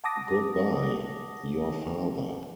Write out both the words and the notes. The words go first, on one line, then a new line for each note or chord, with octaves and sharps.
Goodbye, Your Father.
F#5 A5 D6 D#6 A#6